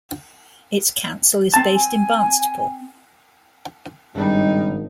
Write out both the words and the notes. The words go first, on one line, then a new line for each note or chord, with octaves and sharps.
Its council is based in Barnstaple.
C4 A5
G#5
G#1 G2 C#3 G3 D4 D#4